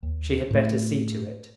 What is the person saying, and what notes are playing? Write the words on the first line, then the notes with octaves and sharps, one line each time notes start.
She had better see to it.
D#2
A2 A3